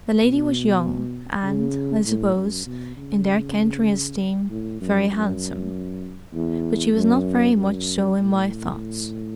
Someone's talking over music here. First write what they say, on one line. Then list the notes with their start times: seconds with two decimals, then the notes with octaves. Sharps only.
The lady was young, and, I suppose, in their country esteem, very handsome, but she was not very much so in my thoughts.
0.22 B2
1.44 C#3
2.05 A2
2.36 F#2
2.66 B2
2.97 C#3
4.50 A2
4.81 F#2
5.11 F#2
6.33 E2
6.95 F#2
7.56 F#2
8.18 A2